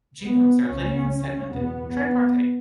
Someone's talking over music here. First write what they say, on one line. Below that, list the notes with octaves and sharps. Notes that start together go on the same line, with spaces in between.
Genomes are linear and segmented, tripartite.
B3
C#2 C#3 C#4
E2 B2 B3
B3